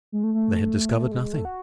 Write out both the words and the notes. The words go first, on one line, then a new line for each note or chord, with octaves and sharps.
They had discovered nothing.
G#3
A3
A3
G#3
G#3
A3
F#4